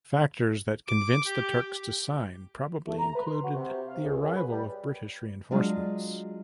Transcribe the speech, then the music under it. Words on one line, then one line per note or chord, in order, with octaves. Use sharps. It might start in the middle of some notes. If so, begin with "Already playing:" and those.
Factors that convinced the Turks to sign probably included the arrival of British reinforcements.
D6
G4
A3
A#5
B4
C6
F#4
C3
F5
C#2
F#2
B4
G3
F#3 G#3 D4 F4 F#4